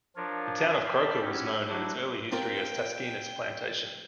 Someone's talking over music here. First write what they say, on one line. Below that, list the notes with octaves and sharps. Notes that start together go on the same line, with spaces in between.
The town of Croaker was known in its early history as Taskinas Plantation.
F3 D4 F4 A#4 C#5
D5 F5 G5 A5 B5
C#4 E4 F#4 G4
F#3 A3 D4 E4 F#4
C4 F4 A#4 G5